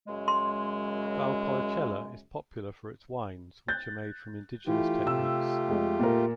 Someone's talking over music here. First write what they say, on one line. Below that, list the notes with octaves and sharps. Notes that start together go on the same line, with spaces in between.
Valpolicella is popular for its wines which are made from indigenous techniques.
F#2 C#3 G#3
C6
F#6 G6 A6
E3 A3 F4 G4
C3 E6
F2 G#3
A#2 A#4